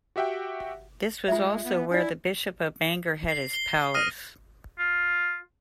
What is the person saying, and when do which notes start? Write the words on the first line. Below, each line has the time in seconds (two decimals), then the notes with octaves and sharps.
This was also where the Bishop of Bangor had his palace.
0.16 F#4 G4 E5 F#5 G5
1.28 G#3 F4 E5
1.64 B3
1.91 D4 E4 D5
3.28 C7
3.53 G7
3.94 D#6 F6 A#6 D#7
4.79 F4